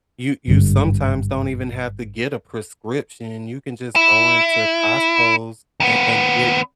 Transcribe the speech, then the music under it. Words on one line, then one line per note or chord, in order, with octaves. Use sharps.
You you sometimes don't even have to get a prescription. You can just go into Costco's and and get
G#1 G2 D3
E4
D#2 B3